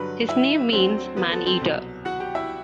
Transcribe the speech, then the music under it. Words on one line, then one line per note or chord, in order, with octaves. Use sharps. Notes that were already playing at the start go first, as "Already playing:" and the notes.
His name means "man eater".
Already playing: G2 D3 F#3 B4 B5
E4 E5
D2 D3 F#3 C4 C5
B3 B4
A4
C4 C5
C2 B2 F#3
F#4 F#5
G4 G5
E4 E5